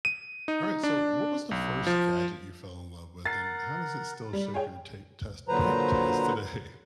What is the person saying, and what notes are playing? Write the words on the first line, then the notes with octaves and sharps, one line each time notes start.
All right, so what was the first gadget you fell in love with, and how does it still shape your ta test tech taste today?
D#7
D#4
D4
B1
F3
A#4 F#5 A6 C7
G3
G#4 C#5 G5
A#2 D3 F#3 B4 C5 A#5